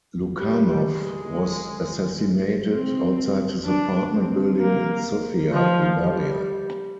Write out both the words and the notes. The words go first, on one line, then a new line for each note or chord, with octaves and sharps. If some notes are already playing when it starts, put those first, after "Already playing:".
Lukanov was assassinated outside his apartment building in Sofia, Bulgaria.
G3
G#3
C4
D4
C4
A#3
F3
G3